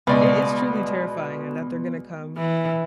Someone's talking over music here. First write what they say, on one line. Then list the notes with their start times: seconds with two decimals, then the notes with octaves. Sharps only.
It is truly terrifying that they're gonna come
0.07 C#2 B2 B3 D5 D#5
2.37 E3